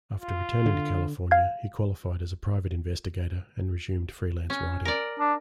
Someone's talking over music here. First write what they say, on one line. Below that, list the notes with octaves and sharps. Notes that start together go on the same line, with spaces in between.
After returning to California, he qualified as a private investigator, and resumed freelance writing.
F4
D3
F5 G#6
C#4
A#4 D5
D4